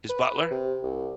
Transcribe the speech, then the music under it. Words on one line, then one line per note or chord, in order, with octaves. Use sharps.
His butler?
B4
C3
C2